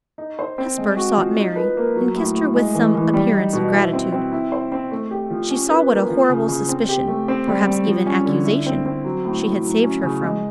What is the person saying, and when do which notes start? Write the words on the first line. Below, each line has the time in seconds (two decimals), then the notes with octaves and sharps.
Hesper sought Mary, and kissed her with some appearance of gratitude. She saw what a horrible suspicion, perhaps even accusation, she had saved her from.
0.18 D#4
0.39 C5
0.58 C4
0.78 G#3
0.97 F#4
1.17 F3
1.36 D#4
1.56 B4
1.77 A#3
1.96 F#3
2.16 A2
2.36 A2
2.55 G#3
2.75 E3
2.95 E3
3.13 G3
3.34 D#4
3.53 B2
3.73 E4
3.93 C4
4.12 C4
4.32 E4
4.52 C5
4.72 C4
4.91 A3
5.11 G4
5.30 F3
5.51 C#4
5.70 B4
5.90 A#3
6.10 F3
6.29 C#3
6.48 C#3
6.69 C4
6.89 G4
7.08 A3
7.28 C4
7.48 G3
7.67 G3
7.86 F3
8.06 C#4
8.26 D3
8.45 E4
8.66 C4
8.86 C4
9.04 F#3
9.25 A2
9.44 A2
9.65 F#3
9.84 C#4
10.03 C#3
10.23 G#3